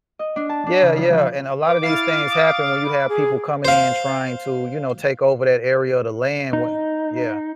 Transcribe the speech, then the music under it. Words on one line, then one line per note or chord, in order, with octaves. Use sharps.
Yeah, yeah, and a lot of these things happen when you have people coming in, and trying to, you know, take over that area of the land wa Yeah.
D#5
D4
A5
D4
C#3
F3
F3
B4 D6
E4 F5 A6
D#6
B5
G#4
C5 F5
D#4